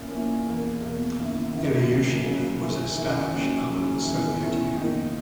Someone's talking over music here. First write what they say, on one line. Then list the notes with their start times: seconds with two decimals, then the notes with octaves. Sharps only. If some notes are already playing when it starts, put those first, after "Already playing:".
Ilyushin was established under the Soviet Union.
Already playing: A#2 A#3 C#4 E4
0.11 A#2 A#3 C#4 E4
0.46 E2 B2 A#3
0.81 E2 B2 A#3
1.17 F#2 D#3 A#3 E4
1.53 F#2 D#3 A#3 E4
1.88 C#3 F#3 A#3
2.25 C#3 F#3 A#3
2.60 F#2 D#3 G#3 C#4 E4
2.95 F#2 D#3 G#3 C#4 E4
3.31 D#2 C#3 F#3 C#4
3.67 D#2 C#3 F#3 C#4
4.03 E2 D#3 G#3 C#4 E4
4.38 E2 D#3 G#3 C#4 E4
4.74 B2 A#3 D#4